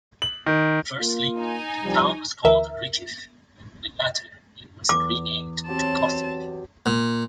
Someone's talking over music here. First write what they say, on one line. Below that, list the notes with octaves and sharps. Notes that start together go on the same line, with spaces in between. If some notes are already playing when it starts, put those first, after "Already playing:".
Firstly, the town was called Rykiv, and only latter it was renamed to Kosiv.
F#7
D#3
A#3 F4
D#4 G#5
C2 F3 G3
D2 E3 A#4 E5
E2 D6
F#3 C4 G4 A5
A#2